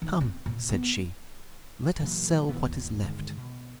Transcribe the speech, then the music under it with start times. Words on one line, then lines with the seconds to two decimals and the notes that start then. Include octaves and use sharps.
"Come!" said she, "let us sell what is left."
0.02 D#3
0.21 C4
0.46 A#2
0.69 B3
2.02 A#2 E3 F#3 A#3
2.49 B2 D#3 E3 B3
2.64 G1 D#2 A#2
3.03 G2 D3 D#3 G#3
3.38 B2